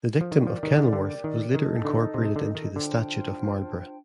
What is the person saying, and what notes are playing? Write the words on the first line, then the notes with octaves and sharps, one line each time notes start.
The Dictum of Kenilworth was later incorporated into the Statute of Marlborough.
F3
D#3 G4 A#4 D5
F3
D#3
D#3
D3
D#3
D#3 D#4 A4 D#5
D3
C3
D3
D#3
D3 D4 F4 C5 G5